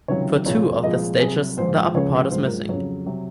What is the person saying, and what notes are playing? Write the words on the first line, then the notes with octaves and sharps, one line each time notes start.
For two of the statues the upper part is missing.
C#2 C3 D#3 F#3 C#5
C2 A#2 F3 G#3 C#5
C2 A#2 F3 G#3 D#5
C2 C3 F#3 G#4
A#1 G#2 F3 C5
C#2 C#3 F3 G#3 C#5
A#1 G#2 F#3 C5
A#4
F2 C#3 F#3 C#5
C3 F#3